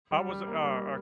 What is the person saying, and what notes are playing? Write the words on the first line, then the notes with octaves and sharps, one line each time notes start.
I was, a, uh uh
G3
G3
A#3
G3